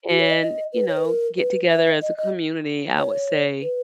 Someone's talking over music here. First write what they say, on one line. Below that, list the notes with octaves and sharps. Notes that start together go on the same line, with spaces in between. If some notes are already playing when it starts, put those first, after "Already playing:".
and, you know, get together as a community, I would say
F#4
C#5
D#5
D#5
B4
C#5
B4
A#4
B4
E5
D#5
D#5
C#5
B4